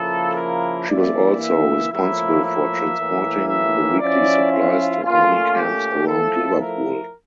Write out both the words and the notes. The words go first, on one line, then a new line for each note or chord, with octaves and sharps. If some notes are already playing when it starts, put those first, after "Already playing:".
She was also responsible for transporting the weekly supplies to army camps around Liverpool.
Already playing: C#3 F3 A#3 E4 A4
A#4
E3 A#3 E4 D5
E5
A2 F3 A#3 E4 E5
E5
A2 E3 A#3
E5
F3 C#4 E4 D5
F4
A#2 A3 C#4 F4
G4
F3 A3 E4 A4
A#4